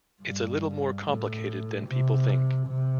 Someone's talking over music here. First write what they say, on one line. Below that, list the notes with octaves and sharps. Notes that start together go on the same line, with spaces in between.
It's a little more complicated than people think.
G2
A2
C3
C3